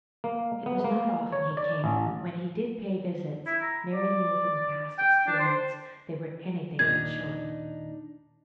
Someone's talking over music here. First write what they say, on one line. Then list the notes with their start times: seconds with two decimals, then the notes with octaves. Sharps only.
It was not often he came, but when he did pay visits, Mary knew from past experience they were any thing but short.
0.24 A#3
0.66 B3
0.84 A#3
1.32 C#5
1.57 D5
1.84 A1
3.46 E4
3.62 A#5
3.93 D5
4.98 G5
5.27 D4
5.40 C5
6.79 D#2 A#2 D#3 D4 D#4 G#6